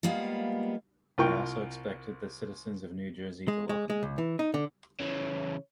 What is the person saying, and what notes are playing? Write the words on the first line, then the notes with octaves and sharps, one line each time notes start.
They also expected the citizens of New Jersey to welcome them.
G3 G#3 A#3 B3 F4
C2 F4 A#4 G5 C#6
G#3
G#3
G#3
C#2
E3
D#4
D3
C#3 E3 C#5